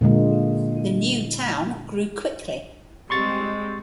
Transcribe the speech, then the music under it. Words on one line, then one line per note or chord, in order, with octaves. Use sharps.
The new town grew quickly.
A#2 D3 G#3 A#3
G3 G#3 C4 C6 C#6 A6